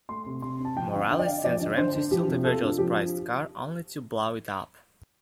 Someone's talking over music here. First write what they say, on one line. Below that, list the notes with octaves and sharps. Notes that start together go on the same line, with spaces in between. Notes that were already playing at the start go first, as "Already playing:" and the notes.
Morales sends Ram to steal the Virgillo's prized car, only to blow it up.
A3 C6
C3
C3 C6
C4
A5
F3 G5
D3 F5
D3 G5
D5
D4 F5
F3 D5
D3
D3 C5
D4
F3 G4
C3
F4 A4
D4
F3 G4